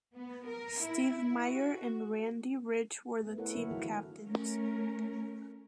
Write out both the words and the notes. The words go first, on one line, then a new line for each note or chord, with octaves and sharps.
Steve Myer and Randy Rich were the team captains.
B3
A#4
E4
F#4
A3 B3
E4 A4 A#4 C#5 F#5
D3 F#3 A#4 E5
D#3 E3 E4 F#4 G#4 F5
A3 C#4 A#4